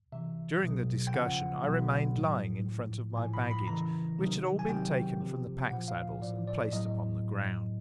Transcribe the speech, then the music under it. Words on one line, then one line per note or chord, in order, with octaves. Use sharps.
During the discussion I remained lying in front of my baggage, which had all been taken from the pack-saddles and placed upon the ground.
C3 E3 E5
B2 F#3
G5
C#3 F3 F#5
B2 F#3
A2 F#3
A2 F3
A2 F3 G#5
B5
B5
C#3 E3 A#5
C3 D#3 F#3
G#5
C3 D#3 F#3 G5
C3 F3
A#2 F3 F#5
F5
A2 F3 D5
D5
A2 F#3 D#5